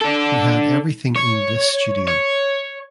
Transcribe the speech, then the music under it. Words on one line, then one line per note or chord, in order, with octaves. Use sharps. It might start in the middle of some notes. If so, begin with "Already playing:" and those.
He had everything in this studio.
D4 A4
C#5
C#5